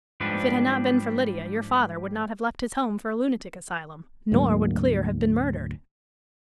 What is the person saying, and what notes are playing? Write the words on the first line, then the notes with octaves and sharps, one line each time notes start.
"If it had not been for Lydia, your father would not have left his home for a lunatic asylum, nor would Clear have been murdered."
G#2 F3 G3 D4 B4
D2 G#2 F#3 A#3